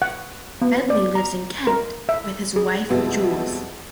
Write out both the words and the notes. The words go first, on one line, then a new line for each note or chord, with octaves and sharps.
Bentley lives in Kent with his wife Jools.
F#5
B3
D5
A#5
A#4
E5
G#4
F2 B2 G3 G#3 B3 E4